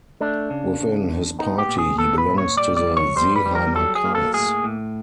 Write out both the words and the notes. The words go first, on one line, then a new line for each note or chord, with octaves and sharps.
Within his party, he belongs to the Seeheimer Kreis.
A3 D4
C#3
C#3
E2
B3 D#4
G4
A#2
G#4
B3 A4
B4
A#2
C#5
G3 D5
D5
F2
C#5
G3 C5
B4
G3
A#4
F#3 A4
G#4
A#3
A4
A2 G#4
A2